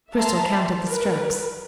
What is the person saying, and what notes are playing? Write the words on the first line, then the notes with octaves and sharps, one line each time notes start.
Cristel counted the strokes.
E5 A5 A#5 C6
A#4 B4